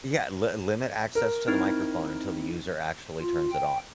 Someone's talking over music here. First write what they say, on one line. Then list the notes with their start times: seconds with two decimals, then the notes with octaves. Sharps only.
Yeah, l limit access to the microphone until the user actually turns it on.
1.15 A#4
1.48 C4 D#4 E4
3.21 F4
3.52 G5